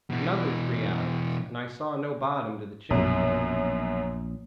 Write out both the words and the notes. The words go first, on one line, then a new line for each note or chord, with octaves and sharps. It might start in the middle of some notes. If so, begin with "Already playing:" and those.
Another three hours, and I saw no bottom to the chimney yet.
B2 E3
A#1 F#2 B2